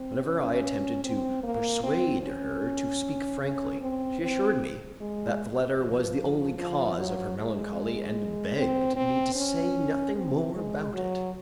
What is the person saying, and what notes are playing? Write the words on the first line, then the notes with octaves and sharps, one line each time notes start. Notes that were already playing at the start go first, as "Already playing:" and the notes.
Whenever I attempted to persuade her to speak frankly, she assured me that the letter was the only cause of her melancholy and begged me to say nothing more about it.
Already playing: C4
C#4
C4
A#3
C4
C#4
C#4
C4
C4
G#3
F3
F3
F#3
G#3
C4
C4
C#4
C4
G#3
F#3